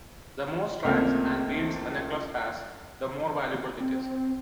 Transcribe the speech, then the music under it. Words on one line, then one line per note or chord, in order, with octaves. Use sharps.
The more strands and beads a necklace has, the more valuable it is.
C#2 A3 A#3 C4 F6
C4